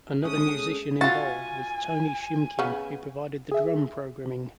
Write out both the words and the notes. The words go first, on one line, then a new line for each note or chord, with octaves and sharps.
Another musician involved was Tony Shimkin, who provided the drum programming.
G#3 A3 C#4 D#6
F4 F#4 G#5 A6
C#3 B3
G#4 E5